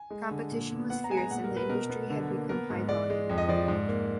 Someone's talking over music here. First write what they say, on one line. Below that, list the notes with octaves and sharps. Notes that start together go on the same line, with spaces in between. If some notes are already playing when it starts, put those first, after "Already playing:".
Competition was fierce and the industry had become high volume, low margin.
Already playing: G#5
G#3
D3
A#2
A#2
B3 F#5
A#5
G#3 G#5
A#5
A#2 F#5
A#4
A#2
B4
B2 A#4
B3
D3
A#3
B3 A#4
G#2
G#3 D5
G#3
F2
D#5
F3 D5
G#2
A#3